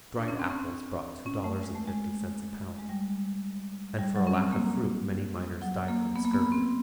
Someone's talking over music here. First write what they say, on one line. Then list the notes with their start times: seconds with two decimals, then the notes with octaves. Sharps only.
Dried apples brought two dollars and fifty cents a pound; and for lack of fruit many miners died from scurvy.
0.18 D4
0.28 C#4
0.39 C4
0.50 C#4
1.26 C#4
1.44 A3
1.63 G#3
1.75 A3
1.87 G#3
2.79 G#3
2.89 G3
3.99 G3
4.16 F#3
4.27 C#4
4.34 C4
4.52 A#3
5.62 F#3
5.88 A#3
6.16 B3
6.25 A#3
6.33 B3
6.52 C4